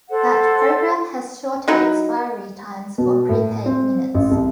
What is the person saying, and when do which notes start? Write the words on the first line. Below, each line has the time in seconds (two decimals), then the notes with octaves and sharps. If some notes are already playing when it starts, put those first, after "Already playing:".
That program has shorter expiry times for prepaid minutes.
0.09 A4 C5 F#5
1.68 F#3 D#4 E4
2.98 B2
3.29 A2
3.66 C4
4.14 A1
4.31 C2